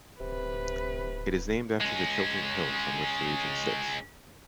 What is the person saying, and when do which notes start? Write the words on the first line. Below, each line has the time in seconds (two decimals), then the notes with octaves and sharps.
It is named after the Chiltern Hills on which the region sits.
0.21 D1 C3 B4
1.81 G#3 C#4